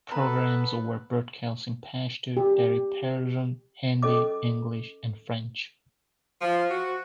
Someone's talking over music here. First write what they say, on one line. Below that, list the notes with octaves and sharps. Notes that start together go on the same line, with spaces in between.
Programs were broadcast in Pashto, Dari-Persian, Hindi, English, and French.
B3 A4 B4 A#5 B5
G4
C#4 A4 D#5 D6
F3
F#4